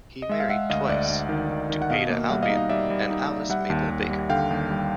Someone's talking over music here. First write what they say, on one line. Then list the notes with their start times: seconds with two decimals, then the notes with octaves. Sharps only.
He married twice, to Ada Albion and Alice Mabel Baker.
0.22 D#5
0.29 G#3 E5
0.40 F5
0.49 G#3 E5 F#5
0.70 D2 D#5 F5
0.89 D2 D5 E5
1.10 D2
1.29 D#3
1.50 D#3
1.70 D#3
1.82 F#5
1.90 B2 D#5 F5
2.10 A#3
2.30 G3 E5 F#5
2.43 D#5 F5
2.50 D#4
2.57 D#5 F5
2.69 G3 D5 E5
2.90 G3
3.10 D#4
3.30 G3
3.50 G3 E5 F#5
3.70 D#2
3.90 D#2
4.10 G3
4.30 D3 F5 G5
4.51 D#2
4.71 G3